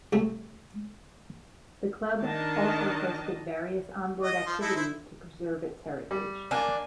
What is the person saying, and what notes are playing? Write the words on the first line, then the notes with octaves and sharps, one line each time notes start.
The Club also hosted various onboard activities to preserve its heritage.
C2 C3 A3
D#3 D4 D#5 A5
D#5
F3 C6
D#4 E4 A4
E4 C5
G3
A#3 D4 G#5